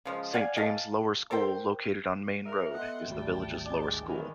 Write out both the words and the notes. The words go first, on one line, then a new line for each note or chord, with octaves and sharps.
Saint James' Lower School, located on Main Road, is the village's lower school.
C#3 F3 G#3
D5 F5 F#5 G#5
D#5 F5 G#5 A5
A4 A#4 C5 G5
A#4 E5
B3 A4 D#5 F#5 C6
G#1 D2 G3 G5 A5
G#3 D4
D#3 E3 F#5 G#5 B5